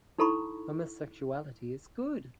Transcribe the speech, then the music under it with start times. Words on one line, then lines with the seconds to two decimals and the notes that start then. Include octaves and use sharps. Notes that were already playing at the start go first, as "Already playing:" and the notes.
Homosexuality is good!
0.19 D#4 E4 A4 A#5 B5 C#6